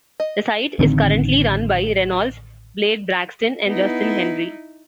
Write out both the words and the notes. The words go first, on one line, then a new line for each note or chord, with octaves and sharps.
The site is currently run by Reynolds, Blade Braxton and Justin Henry.
D#5
A1 D3 D#3 C4
B3 D#4 E4